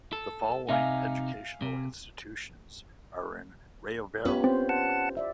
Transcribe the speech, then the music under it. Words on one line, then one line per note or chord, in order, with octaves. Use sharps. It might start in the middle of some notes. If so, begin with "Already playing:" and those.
The following educational institutions are in Rayavaram.
A4
C3 D#4 E5 F5 G#5
C3
B3 C#4 F4 G4 B4
C4 C5
F#5 A5
D5 E5